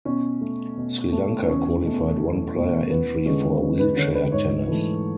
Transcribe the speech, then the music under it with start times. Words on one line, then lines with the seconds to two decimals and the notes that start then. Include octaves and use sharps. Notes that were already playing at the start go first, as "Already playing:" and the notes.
Sri Lanka qualified one player entry for wheelchair tennis.
0.05 B2 C#4
0.41 A3
0.77 B2
1.12 A3
1.43 B3
1.48 E2 C#4
1.83 B2 A3
2.19 E2
2.55 B2 A3
2.90 E2 B3
3.26 D3 G#3 C#4
3.43 B3
3.61 E2 C#4
3.79 B4
3.96 D3 G#3 C#5
4.14 B4
4.32 G#2 C#5
4.68 E3 A3